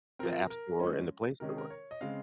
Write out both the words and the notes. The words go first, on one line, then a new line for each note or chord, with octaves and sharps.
the App Store and the Play Store.
F3 C4 A#4
A#4
F3 G#3 C#4
C3 D#3 G#3 C#4 A#4
G#4
A#4
C#5
D#5
C#3 G#3 C4 F5